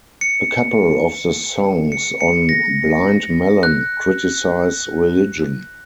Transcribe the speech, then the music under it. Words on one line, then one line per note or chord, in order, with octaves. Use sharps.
A couple of the songs on "Blind Melon" criticize religion.
C#7
C#7
C#7
A#6
F#6